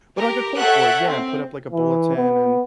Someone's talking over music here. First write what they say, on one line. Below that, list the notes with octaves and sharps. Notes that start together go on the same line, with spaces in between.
But, like, a corkboard, yeah, and put up, like, a bulletin and,
G4 A#4
A4 C#5 E5 F#5 G5 F#6
C4
E3
B3